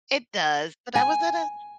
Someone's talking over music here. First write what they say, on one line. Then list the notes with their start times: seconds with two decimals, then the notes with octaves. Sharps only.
it does, but I was at a
0.95 G#5